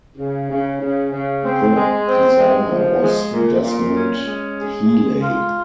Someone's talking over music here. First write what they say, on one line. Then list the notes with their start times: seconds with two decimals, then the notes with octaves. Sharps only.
The designer was Desmond Heeley.
0.18 C#3
0.50 C#3
0.81 C#3
1.13 C#3
1.44 C4
1.75 G#3
2.07 C4
2.39 G#3
2.69 F3
3.01 G#3
3.33 A#2
3.64 A#2
3.96 C#4
4.26 G#3
4.58 G#4
4.90 G#3
5.21 F4